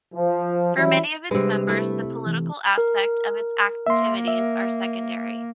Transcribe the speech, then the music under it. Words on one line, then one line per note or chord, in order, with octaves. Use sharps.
For many of its members the political aspect of its activities are secondary.
F3
E3 F#3 G3 C#4 E4
C3 G3 G#3 D4 B4
A3 E4
E3
A#4
A#3 E5 C6
E5